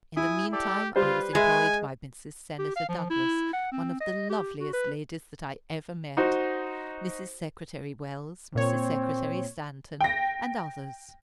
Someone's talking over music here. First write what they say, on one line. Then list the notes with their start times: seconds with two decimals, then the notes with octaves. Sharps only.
In the mean time I was employed by Mrs. Senator Douglas, one of the loveliest ladies that I ever met, Mrs. Secretary Wells, Mrs. Secretary Stanton, and others.
0.17 E4 G#5 D#6
0.53 G4 A4 D5
0.96 G3 F4 B4 C5
1.35 G#3 E5 G#5
2.59 G4
2.76 F5
2.89 F3
3.10 E4
3.53 F#5
3.72 C4
4.00 D#5
4.29 G4
4.59 F#4
4.73 B4
6.17 D#4 F#4 C5
8.55 A#2 C4 C#5
10.00 G5 A#6